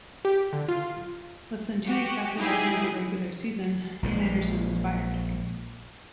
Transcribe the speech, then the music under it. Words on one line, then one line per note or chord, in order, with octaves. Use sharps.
Less than two weeks after the end of the regular season, Sanderson was fired.
G4
D3
F4
F#4 G4
D#4 E4 G4 G#4
A#1 A#2 F3 G#3